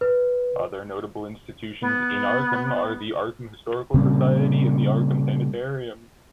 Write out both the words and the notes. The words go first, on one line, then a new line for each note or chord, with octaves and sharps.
Other notable institutions in Arkham are the Arkham Historical Society and the Arkham Sanitarium.
B4
B3
A#2 C#3 G3 C4